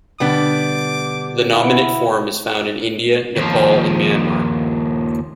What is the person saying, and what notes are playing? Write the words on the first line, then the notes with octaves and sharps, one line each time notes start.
The nominate form is found in India, Nepal and Myanmar.
B2 D3 G3 B3 D4 D6
E4 F#5 F6
D#2 F3